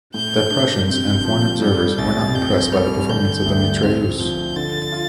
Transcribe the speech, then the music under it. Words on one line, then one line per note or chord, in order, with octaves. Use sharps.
The Prussians and foreign observers were not impressed by the performance of the mitrailleuse.
A2 G6
D4
C3 G6
F3
G3 G6
C2 A6
F2 G6
G3 F6
D3 G6
D2
C4 F6
F3 G6
D3 A6
F4